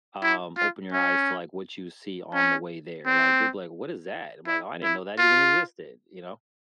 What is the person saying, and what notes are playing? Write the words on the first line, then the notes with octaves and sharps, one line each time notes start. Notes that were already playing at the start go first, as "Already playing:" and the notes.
um, open your eyes to, like, what you see on the way there, like, you'll be like, "What is that?" I'm like, "Oh, I didn't know that even existed." You know?
E4
F4
C#4
C#4
C4
E4
E4
F4